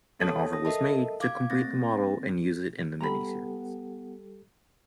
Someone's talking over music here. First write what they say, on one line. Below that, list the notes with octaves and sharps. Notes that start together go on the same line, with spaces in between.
An offer was made to complete the model and use it in the miniseries.
B3 A4 C#5 A5 D#6
D#6 A#6
A4 A#4 D#5 E5 A5
F5 D6 G#6
A3 A#3 C4 A6 A#6
G3 B3 G4 A4 A#5 B5